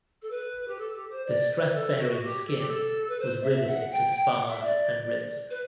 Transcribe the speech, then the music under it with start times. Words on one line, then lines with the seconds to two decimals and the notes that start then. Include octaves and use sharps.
The stress bearing skin was riveted to spars and ribs.
0.22 A4
0.30 B4
0.67 G4
0.78 A4
0.94 G4
1.10 C5
1.27 D5
1.65 B4
1.75 A4
1.99 F#4
2.23 G4
2.47 A4
2.57 G4
2.68 A4
3.09 B4
3.19 C5
3.43 E5
3.68 F#5
3.91 G5
4.15 G5
4.31 F#5
4.47 E5
4.63 D5
5.50 B4